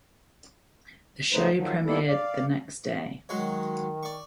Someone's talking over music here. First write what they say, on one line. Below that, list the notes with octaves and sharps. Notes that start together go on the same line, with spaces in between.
The show premiered the next day.
C#3 F#3 A3 D#4 B4 C5
D#3 F3 F#3
G3 A#3 B3 D4 E4 A4
D5 F5
D#3 F#3 G#3 C#5
D5 C#6